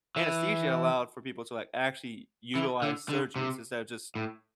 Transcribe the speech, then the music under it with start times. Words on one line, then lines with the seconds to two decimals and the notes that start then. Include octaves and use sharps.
Anesthesia allowed for people to, like, actually utilize surgeries, instead of just
0.16 E3
2.55 E3
2.82 D3
3.09 D3
3.36 C3
4.15 A2